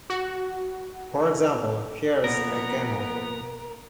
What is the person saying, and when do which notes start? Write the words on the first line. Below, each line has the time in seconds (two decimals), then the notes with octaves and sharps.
For example: Here's a camel.
0.10 F#4
2.24 F2 B2 A#3 B3 A#4